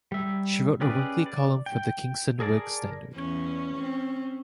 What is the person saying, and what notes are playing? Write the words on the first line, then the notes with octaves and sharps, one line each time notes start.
She wrote a weekly column for the "Kingston Whig-Standard".
G3 E5
C#4 G4 G#4 B4 D5
D5
G5
G#4 A#4 D5 A5
E2 C#4
C4